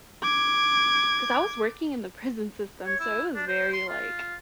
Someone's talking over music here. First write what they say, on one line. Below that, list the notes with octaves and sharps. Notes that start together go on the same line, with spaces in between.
'cause I was working in the prison system, so it was very, like,
D6 G#6
C#5
E4
D4
C5
C6
F4